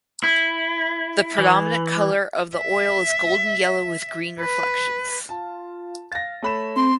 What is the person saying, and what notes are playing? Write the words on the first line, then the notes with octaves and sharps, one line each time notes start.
The predominant color of the oil is golden yellow with green reflections.
E4
E3
E5
B4
F4 A5
F5 A6 A#6
A3 C#5 B5 E7
C4 C6